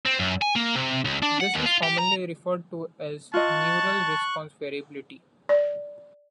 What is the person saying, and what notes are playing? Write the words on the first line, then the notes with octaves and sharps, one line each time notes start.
This is commonly referred to as neural response variability.
C4
F#2
G#5
A#3
C3
C#2
D4
F#5
D#2
F4
G4
A#5
F4 D#5 A5 C#6 F#6
D5